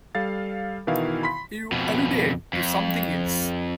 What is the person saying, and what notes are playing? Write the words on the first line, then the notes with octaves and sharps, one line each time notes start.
You alluded to something else.
G3 A4 F5 A6
B2 D#3 E3 E4 F5
B5 C6 B6
F2 B2
F2